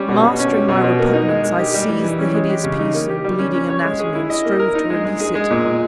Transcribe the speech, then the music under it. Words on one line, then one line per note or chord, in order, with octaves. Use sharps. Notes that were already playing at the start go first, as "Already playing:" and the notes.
Mastering my repugnance, I seized the hideous piece of bleeding anatomy and strove to release it.
Already playing: G3 C#4
B2
B2
C#4
G3
B2
B2
A#3
D#4
G#3
G#3
G4
G3
E3
E3
C#4
G#3
G4
C#3
D#4
A#3
G4
G3
C#4
C#4
C#5
G#3
G#4
E4
D#5
A#3
A#4
D#4
G#3
G#3
G#4
G#3
A#2
A#2